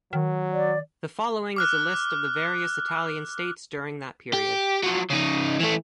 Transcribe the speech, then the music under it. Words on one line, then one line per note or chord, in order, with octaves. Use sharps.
The following is a list of the various Italian states during that period.
D#3 F#3
D5
D6 F6 F#6
G4
F3 F#3
C#3 D#4
E3 A3